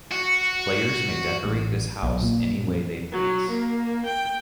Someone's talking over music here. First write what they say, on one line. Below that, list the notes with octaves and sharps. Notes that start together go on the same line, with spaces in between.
Players may decorate this house anyway they please.
F#4
A1
B1
A#2
F2
F#3
A#3
G5